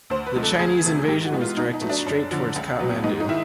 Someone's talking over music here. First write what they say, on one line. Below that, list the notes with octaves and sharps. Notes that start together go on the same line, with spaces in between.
The Chinese invasion was directed straight towards Kathmandu.
D2 C5
B4
C3 F3 G#3
A4
D2 G#4
C3 F3 A3
G#2 G4
F#4
E3 G#3 B3
F4
B2 D#4
D#4
F#3 A3
D4
F#2
D3 F3
C#2
B2 F#3 B3
G#2 D#4
D#4
D#3 E4